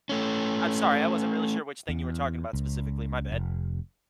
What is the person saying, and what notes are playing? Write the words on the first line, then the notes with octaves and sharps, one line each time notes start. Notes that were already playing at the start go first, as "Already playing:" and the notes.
I'm sorry, I wasn't really sure which thing you were talking about specifically, my bad.
A3 C#4
E2
C#2
F1